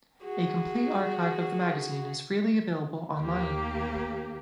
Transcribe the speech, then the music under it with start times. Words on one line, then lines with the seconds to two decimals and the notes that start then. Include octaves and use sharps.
A complete archive of the magazine is freely available online.
0.24 F#4 G#4
3.21 D#2 A#3 G4